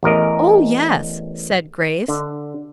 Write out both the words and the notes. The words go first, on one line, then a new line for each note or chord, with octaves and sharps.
"Oh yes," said Grace.
A1 E2 A#4 D#5
D3